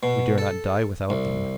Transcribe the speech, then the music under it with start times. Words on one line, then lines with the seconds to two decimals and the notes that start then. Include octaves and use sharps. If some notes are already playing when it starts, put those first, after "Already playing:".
We dare not die without them.
0.03 B2
0.38 A4
1.10 C2